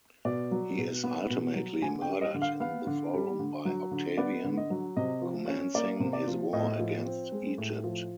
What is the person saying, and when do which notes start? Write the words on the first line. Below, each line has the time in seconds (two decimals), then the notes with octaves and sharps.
He is ultimately murdered in the Forum by Octavian, commencing his war against Egypt.
0.25 B2 D5
0.51 F#3
0.78 B2
1.04 B3
1.30 B2
1.55 F#3
1.82 D3 G#5
2.02 G5
2.08 G3
2.21 D#5
2.34 D3
2.42 F5
2.60 B3 F5
2.87 D3
3.13 G3
3.39 D3
3.65 F#3
3.91 D3
4.17 B3 D5
4.44 D3
4.57 D#5
4.70 F#3
4.97 C3 D#5
5.22 F3
5.48 C#4
5.74 A#3 D5
6.00 C3
6.13 D5
6.27 F3
6.53 A2 D#5
6.79 F3
7.05 C4
7.32 G#3
7.58 A2
7.84 F3